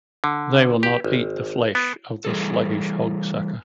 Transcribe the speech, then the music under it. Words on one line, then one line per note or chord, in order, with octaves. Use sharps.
They will not eat the flesh of the sluggish hog-sucker.
D3
G4
G#1
B3
E3 G3 G#4 A4